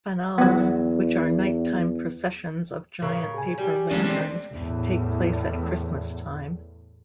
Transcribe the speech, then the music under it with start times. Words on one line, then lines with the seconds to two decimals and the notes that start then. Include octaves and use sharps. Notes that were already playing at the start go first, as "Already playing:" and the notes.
"Fanals", which are night-time processions of giant paper lanterns, take place at Christmas time.
0.38 E2 F#3 B3
3.02 A2 C#3 A#4
3.34 G#4 G#5
3.58 G3
3.91 C#3 E3 G#3 A3 C#4 D4
4.05 C3
4.50 E2 A2